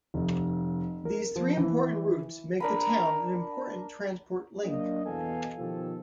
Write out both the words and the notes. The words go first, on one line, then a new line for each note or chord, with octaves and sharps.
These three important routes make the town an important transport link.
F1
A#4
F3
E3
D4 A#4 B5
F#3 A#3 D4 D#5
E2 B2 B3 A4 F5 G#5
B2 D#3 F3 G4 A4